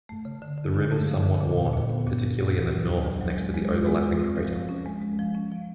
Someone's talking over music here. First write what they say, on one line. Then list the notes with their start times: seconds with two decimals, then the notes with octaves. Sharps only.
The rim is somewhat worn, particularly in the north next to the overlapping crater.
0.09 A3
0.25 C#3
0.42 D3
0.58 D3
0.74 D3
0.91 A3
1.08 F3
1.24 D3
1.41 A#2
1.57 A#2
1.73 A#2
1.90 B3
2.07 A#2
2.22 A#2
2.39 D2
2.55 D2
2.72 F#3
2.88 D2
3.04 D2
3.21 F#3
3.38 G#3
3.54 G#3
3.71 F4
3.87 G#3
4.03 F4
4.20 C4
4.36 F3
4.53 F3
4.69 C#4
4.86 G#3
5.02 G#3
5.19 F3
5.35 C#4
5.51 F3